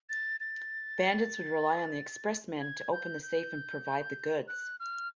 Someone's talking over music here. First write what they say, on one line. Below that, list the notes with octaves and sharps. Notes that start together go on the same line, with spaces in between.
Bandits would rely on the expressman to open the safe and provide the goods.
A6
A6
G#6
G6
G6
F#6
F6